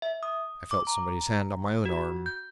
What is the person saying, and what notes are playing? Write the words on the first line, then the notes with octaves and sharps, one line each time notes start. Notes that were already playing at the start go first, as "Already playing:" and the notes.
I felt somebody's hand on my own arm.
E5
D#6
D6
A#5
F#4
G6